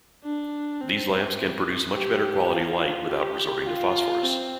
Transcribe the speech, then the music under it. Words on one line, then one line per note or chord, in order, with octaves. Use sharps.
These lamps can produce much better quality light without resorting to phosphors.
D4
C4
G4
F4
G4
F4
C4